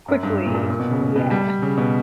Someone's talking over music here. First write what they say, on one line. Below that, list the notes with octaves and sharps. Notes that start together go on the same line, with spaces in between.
quickly. Yeah.
F#2
G2
A#2
G2
A#2
B2
C#3
C#3
B2
G3
C#3
B2